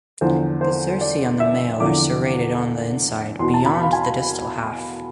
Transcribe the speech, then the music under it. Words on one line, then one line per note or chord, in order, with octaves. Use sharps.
The cerci in the male are serrated on the inside beyond the distal half.
E2 D3 F3 C5
C5
D5
E5
E2 D3 F3 D6
E2 B2 C6
A5
B5
F5
G#5